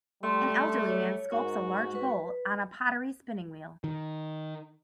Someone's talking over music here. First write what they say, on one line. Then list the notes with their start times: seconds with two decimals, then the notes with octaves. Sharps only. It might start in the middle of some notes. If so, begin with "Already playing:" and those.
An elderly man sculpts a large bowl on a pottery spinning wheel.
0.23 G3 A3 C6
0.89 C#5
1.31 G#2 F#4 A#4 G#5
1.95 B4
3.84 D#3